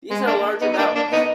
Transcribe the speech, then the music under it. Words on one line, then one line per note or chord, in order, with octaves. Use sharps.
These are large amounts.
G#3
A#3 D4
B3 D#4
D#4
A#3 D4
A#3 D4
B3 D#4